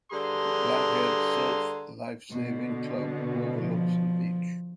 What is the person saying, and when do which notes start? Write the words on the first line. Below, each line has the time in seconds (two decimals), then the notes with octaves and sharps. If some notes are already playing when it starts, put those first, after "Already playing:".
The Black Head Surf Lifesaving Club overlooks the beach.
0.11 G2 D3 G#4 A#5 C6
2.30 B2 D3
3.58 F3